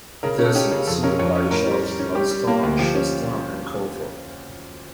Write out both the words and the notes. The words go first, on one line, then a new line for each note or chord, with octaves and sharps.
It is in the civil parish of Wyboston, Chawston and Coleford.
C#3 A#4
C#4
A4
C#4 G4
C#3
F2 A4
C#4 A#4
F2 C#5
C#4
A2 A#4
G3
G3
C#4
G3 G4
G3
A#3
D2
F3 G4
C#4